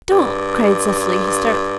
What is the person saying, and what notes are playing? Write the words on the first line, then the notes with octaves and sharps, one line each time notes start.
"Don't," cried Cecily hysterically.
G2